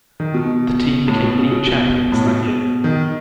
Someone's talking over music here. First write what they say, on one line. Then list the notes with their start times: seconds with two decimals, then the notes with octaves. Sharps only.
The team became league champions that year.
0.20 D#3
0.34 B2
1.08 A2
1.22 B2
1.38 C#3
1.52 B2
1.67 B2
2.12 A2
2.26 B2
2.84 D#3